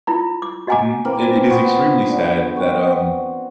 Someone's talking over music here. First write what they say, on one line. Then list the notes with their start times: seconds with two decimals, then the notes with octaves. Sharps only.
Mhm. It it is extremely sad that, um,
0.07 E4 F4 A#5
0.42 D6
0.67 F#4 D#5 F#5 G#5 A#5 D6
1.05 E3 A#3 C4 A#4
1.48 B3 F#4 C5 A5
1.67 F4 G#5
2.10 D3
2.56 C4 F#4